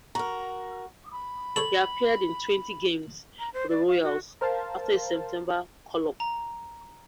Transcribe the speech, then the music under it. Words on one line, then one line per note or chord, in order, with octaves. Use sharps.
He appeared in twenty games for the Royals after a September call-up.
F#4 A#4 A#5
B5
A4 C5 C#5 F#7
A#5
C5
D5
F5
F#4
A#4 C5 F5 A5
A#5